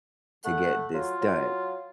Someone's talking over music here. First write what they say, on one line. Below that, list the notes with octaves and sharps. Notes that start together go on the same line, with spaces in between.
to get this done,
A3 F#5
F#3 F4
F#3